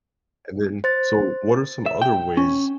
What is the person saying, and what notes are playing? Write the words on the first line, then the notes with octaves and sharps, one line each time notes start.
And, then, so what are some other ways,
C5 A6
E5
G5
C#4